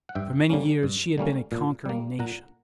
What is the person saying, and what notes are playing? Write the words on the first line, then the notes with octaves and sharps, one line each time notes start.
For many years she had been a conquering nation.
F#5
G2 E5 G5
D3 G3 A#3 C#4
G2
D3 G3 A#3 C#4
A#2
G3 A#3
A#2 F#5 A#5